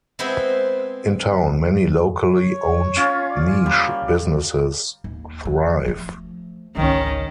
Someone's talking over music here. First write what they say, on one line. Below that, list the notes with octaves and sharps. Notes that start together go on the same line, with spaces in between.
In town, many locally owned niche businesses thrive.
G#3 B3 C4 E4 C5
C#5
C#4 F4
D5
G3 A#3
D#2
F3
F3 A3
G#1 C#2 D#3 C#4